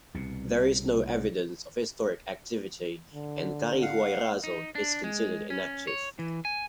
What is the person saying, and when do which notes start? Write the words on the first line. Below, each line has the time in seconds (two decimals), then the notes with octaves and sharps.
There is no evidence of historic activity and Carihuayrazo is considered inactive.
0.14 C2 B2
3.14 D3
3.82 F5 F#5
4.44 D#4
4.75 D4
5.04 G#3
5.50 C#4
5.87 C#5
6.19 E3
6.45 G#5